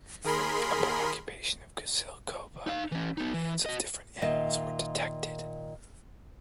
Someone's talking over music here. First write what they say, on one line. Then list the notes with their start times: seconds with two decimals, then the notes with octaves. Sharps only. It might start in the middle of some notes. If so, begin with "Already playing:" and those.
In the upper occupation of Kizil Koba remains of different animals were detected.
0.24 D#2 G#4 A#4 B5 C6
2.67 D#4 F5
2.92 E3 C#4
3.18 B3 D#4
3.34 E3
3.66 F#4 D#5
4.22 A#2 D#3 F4 D#5 E5